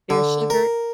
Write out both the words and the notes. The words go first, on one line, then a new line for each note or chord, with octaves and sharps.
there's sugar
D3
A#4